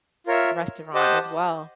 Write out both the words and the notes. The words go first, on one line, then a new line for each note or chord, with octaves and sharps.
restaurant as well
F4 A#4 C#5 E5
G4 C5 D#5 F#5 A5